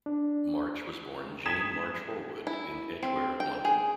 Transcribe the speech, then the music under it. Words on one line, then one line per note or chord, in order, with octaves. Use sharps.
March was born Jane March Horwood in Edgware, London.
D4
D#6 G#6 B6 E7
E4
C4
G5
G#4